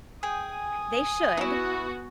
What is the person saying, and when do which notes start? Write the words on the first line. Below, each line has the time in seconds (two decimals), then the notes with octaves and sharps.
They should,
0.23 G#4 G5 G#5 D#6
1.37 B3 D#4 E4 F#4